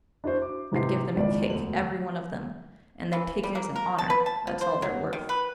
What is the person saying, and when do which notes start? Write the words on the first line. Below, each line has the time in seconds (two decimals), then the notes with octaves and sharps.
"I'd give them a kick, every one of them, and they'd take it as an honor--that's all they're worth!"
0.24 D4 E4 F#4 C5
0.42 D6
0.72 G#2 C3 E3 G#3 G4 C7
1.17 G#1 C#2 E4 D5
1.50 E1 D2 F#7
3.13 E3
3.43 G3
3.55 A#3
3.76 A#4
3.98 A5
4.10 B4
4.26 A5
4.47 F3
4.61 C5
4.82 F#3
5.13 D#3
5.29 B4